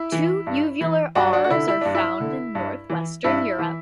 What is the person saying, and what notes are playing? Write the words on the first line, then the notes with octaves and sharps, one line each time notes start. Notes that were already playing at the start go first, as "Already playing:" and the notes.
Two uvular Rs are found in north-western Europe.
Already playing: E4
E3
G2
E3
G2 D4 F#4
D4 F#4
F#4
D3 E4
E4
G2 D4
E4
D3
G2
E3
G2 E4
E3